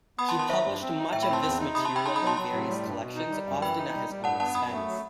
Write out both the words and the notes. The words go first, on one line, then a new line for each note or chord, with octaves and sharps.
He published much of this material in various collections, often at his own expense.
B3 B5 D#6
A5 C6
D#3
A5 C6
F#3 C5 E5
G2
C4
D#4
A2 E5 G5
G5 B5
C4 A5 C6
E2 A5 C6
D#4
C3 B5 D#6
A5 C6
C3
G5 B5
D#4 A5 C6
B5 D#6
F#3
A5 C6
F#3 A5 C6
A2
G3
G2
B2
D#4
G3
F#2
E3 G5 B5
D#4
G3
G3
G2 F#5 A5
B3 F#5 A5
F#2 B5 D#6
A3
F#3